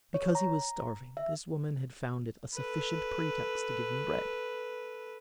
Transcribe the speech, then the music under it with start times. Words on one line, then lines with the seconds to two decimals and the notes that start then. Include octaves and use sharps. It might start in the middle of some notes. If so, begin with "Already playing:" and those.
Because he was starving, this woman had found it a sufficient pretext to give him bread.
0.14 C#5
0.35 A#5
1.17 E5
2.55 A4 B4